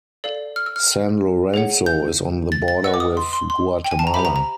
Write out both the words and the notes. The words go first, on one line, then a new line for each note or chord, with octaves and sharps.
San Lorenzo is on the border with Guatemala.
A4 D5 F5
F6
E6
F6
G#4 C#5 F#5
G6
A6
A6
B4 D#5 F#5 E6
D6
D#6
C6
C6
C6
G5
G#5
A5
A#5
G4 C5 E5 B5
A#5
A#5